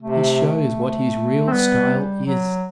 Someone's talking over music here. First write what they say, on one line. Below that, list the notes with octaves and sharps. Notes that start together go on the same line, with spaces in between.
He shows what his real style is.
C3 A3
C4
G3 B3
F#3